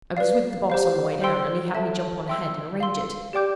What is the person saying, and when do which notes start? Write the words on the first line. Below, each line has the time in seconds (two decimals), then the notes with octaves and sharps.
I was with the Boss on the way down, and he had me jump on ahead and arrange it.
0.17 B4 D5 F5
0.70 G4 C5 F5
1.22 C5 G5 C6 E6
1.75 A4 E5 A5
2.28 E5 G5 C6 E6
2.80 F5 C6 E6
3.33 G4 D5 G5 D6 G6